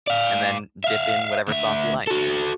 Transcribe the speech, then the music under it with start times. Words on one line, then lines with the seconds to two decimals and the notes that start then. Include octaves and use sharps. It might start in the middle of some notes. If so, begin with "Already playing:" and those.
And then dip in whatever sauce you like.
0.08 D5 F5
0.84 E5 F5
1.48 D2 E5
2.07 F#4 A4